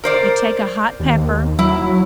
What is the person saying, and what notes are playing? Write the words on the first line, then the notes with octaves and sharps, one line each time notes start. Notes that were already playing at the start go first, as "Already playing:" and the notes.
you take a hot pepper
A#4 C5 D5
D#2
F#3 E4